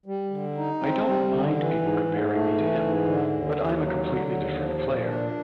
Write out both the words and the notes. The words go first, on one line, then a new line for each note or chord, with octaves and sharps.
I don't mind people comparing me to him but I'm a completely different player.
G3
D3
D#4
C4
G3
D3
E3
G#2
G#2
A3
E3
G#2
D3
D#2
D#2
F#3
D3
D#2
F3
A#2
D4